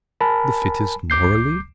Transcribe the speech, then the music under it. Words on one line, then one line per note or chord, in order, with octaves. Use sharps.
The fittest morally?
A#4 G#5 A5 B5
C#2 D6 G6 C7